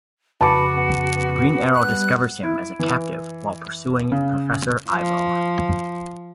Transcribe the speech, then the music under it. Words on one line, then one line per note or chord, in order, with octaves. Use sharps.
Green Arrow discovers him as a captive while pursuing Professor Ivo.
F2 C#3 F#4 B4 A5 D6
B3
B3
F#6
G3
E4
E3
C#3
F3